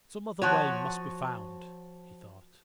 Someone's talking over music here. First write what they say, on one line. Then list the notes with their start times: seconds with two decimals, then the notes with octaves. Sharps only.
"Some other way must be found," he thought.
0.42 F3 F#4 C#5